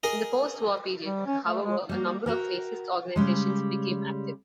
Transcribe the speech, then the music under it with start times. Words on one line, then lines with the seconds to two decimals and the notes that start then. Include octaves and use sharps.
In the post-war period, however, a number of fascist organisations became active.
0.03 G#4 A#4 D#5
1.04 G3
1.26 C#4
1.46 A3
1.63 G#3
1.89 G3 A#3 F#4
2.26 F#4 A#4 G5
3.16 C#3 G3 G#3